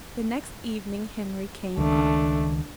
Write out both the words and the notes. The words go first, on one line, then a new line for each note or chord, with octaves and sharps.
The next evening Henry came up.
C#2 D#3 A3 D4